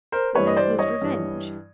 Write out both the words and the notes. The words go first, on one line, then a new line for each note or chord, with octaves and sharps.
"Then it was revenge."
A#4 C5
G2 E3 G3 B4 C#5
D#5
C5 D5
C#5 D#5
G2 E3 G3